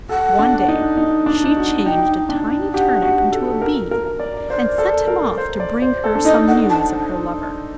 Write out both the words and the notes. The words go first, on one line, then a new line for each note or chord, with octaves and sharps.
One day she changed a tiny turnip into a bee, and sent him off to bring her some news of her lover.
A4 F#5
D4
D#4
D#4
D4
D#4
F#4
D#4 G5
D4
G4 F#5
F#4
A4
A#4
A#4
D5
C5 D5
A4
A#4
C5
D5
C5
A4
D4
D#4 D#5
F#5
A5